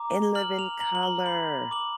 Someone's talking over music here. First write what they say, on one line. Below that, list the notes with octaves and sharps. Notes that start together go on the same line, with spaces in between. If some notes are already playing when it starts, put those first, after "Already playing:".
In Living Color.
Already playing: A#5 D6
F6 F#7
F7
A#5 F#7
F#7
G7
B5 F#7
D6 F#7